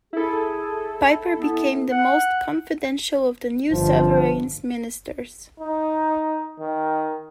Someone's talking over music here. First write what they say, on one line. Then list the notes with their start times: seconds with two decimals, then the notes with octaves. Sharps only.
Piper became the most confidential of the new sovereign's ministers.
0.13 E4 G#4 A4
1.36 B3
1.91 F#5
3.71 G1 F3
5.60 D#4
6.60 D#3